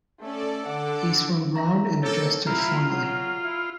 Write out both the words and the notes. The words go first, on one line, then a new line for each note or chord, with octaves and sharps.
He swung round and addressed her formally.
A3 C#4 A4 D5
D3 A4 F#5 D6
E5 A#5
A#3 A4 C#5
E4 F4 A#5
F#3
E4